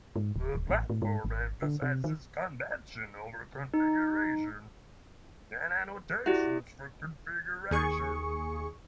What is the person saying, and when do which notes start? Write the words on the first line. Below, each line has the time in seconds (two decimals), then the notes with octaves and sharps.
The platform emphasizes convention over configuration and annotations for configuration.
0.16 G#2
0.36 D1
0.55 D1
0.69 A1
0.90 A2
1.02 G#2
1.24 G#1
1.62 D3
1.82 C3
2.04 D#3
3.74 D#4
6.26 E4 F#4 G4 D5
7.71 D#2 G#4 C#6